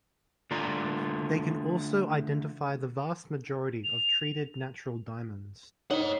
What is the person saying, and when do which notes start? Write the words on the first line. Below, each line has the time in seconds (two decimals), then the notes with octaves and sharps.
They can also identify the vast majority of treated natural diamonds.
0.51 D3 A3 F4 D5 A#5
3.84 F7
5.91 D#4 C5 C#5 F#5